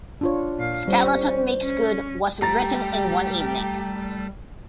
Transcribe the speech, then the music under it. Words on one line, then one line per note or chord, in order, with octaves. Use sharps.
"Skeleton Makes Good" was written in one evening.
D4 F4 C#5
A#2 F5
G3 C#4 C5
C#4
G3 A3 G4 A#5 A6